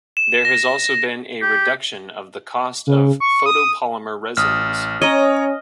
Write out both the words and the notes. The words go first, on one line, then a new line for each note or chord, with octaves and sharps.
There has also been a reduction of the cost of photopolymer resins.
E7
A#6
G4
C#3
C#6
D#6
A1 D#6 F6
C#4 C#5 D#5 A#5